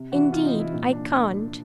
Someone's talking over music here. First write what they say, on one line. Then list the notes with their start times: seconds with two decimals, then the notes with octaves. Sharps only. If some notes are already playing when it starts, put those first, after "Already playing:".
'Indeed, I can't.
Already playing: C3
0.12 E3 F#4
0.32 C3 F4
0.45 D#4
0.53 E3
0.59 E4
0.72 A#2 D#4
0.92 D4